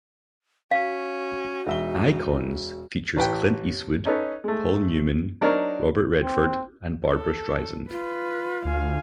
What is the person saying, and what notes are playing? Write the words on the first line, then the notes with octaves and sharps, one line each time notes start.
"Icons" features Clint Eastwood, Paul Newman, Robert Redford, and Barbra Streisand.
C#4 F#4 F5
E1 D#4 E5 G7
A1 B4 G5
C#4 D#4 A4 B4 C#5
G#3 A3
F#3 D4 D#4 A#4 C5 C#5
C4
A4
F4 B4
D2 F5 G#5